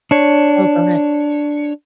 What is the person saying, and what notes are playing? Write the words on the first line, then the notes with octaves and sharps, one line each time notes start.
Oh, go ahead.
D4 C#5